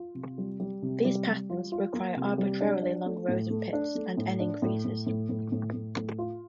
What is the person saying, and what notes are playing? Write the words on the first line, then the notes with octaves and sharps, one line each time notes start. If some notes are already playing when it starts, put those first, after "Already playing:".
These patterns require arbitrarily long rows of pits and "n" increases.
Already playing: F4
C3
G3
G3
C3
G3
G3
F4
F4
A#3
C3
G3
D4
D4
A3
A2
A3
D4
A3
A2
D4
A2
A2
A2
A2
A2
A2
A2
F4